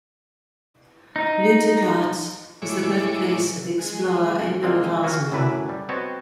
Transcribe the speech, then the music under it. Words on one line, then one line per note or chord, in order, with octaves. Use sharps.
Lutjegast was the birthplace of the explorer Abel Tasman.
D#4
A2 G#3 E4 C#5 D6
G#3
A#2 D3 G#3 A#3 C4
A#3 C#4 F4 F#4
F#2 A2 E3 B4 D5 E5
G3
B3 C4 F#4 C#5 D#5 A5